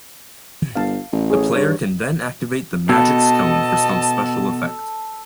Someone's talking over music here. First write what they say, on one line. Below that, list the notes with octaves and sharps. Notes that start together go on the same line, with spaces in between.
The player can then activate the Magic Stone for some special effect.
G1 F5 A5
A1
G#4 C#5
G2 C#5
B2 A4 D#5 A5